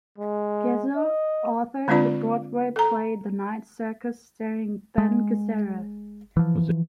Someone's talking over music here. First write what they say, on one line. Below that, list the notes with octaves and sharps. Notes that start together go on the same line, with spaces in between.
Gazzo authored the Broadway play "The Night Circus" starring Ben Gazzara.
G#3
D#5
D3 G#3 C4 D4 F4 D5
A4 A#5
G#3
E3 F3